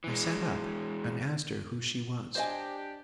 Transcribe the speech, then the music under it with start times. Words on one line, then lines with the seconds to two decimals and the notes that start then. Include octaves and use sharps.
I sat up, and asked her who she was?
0.04 E3 G#3
2.35 D4 G4 C5 D#5 G#5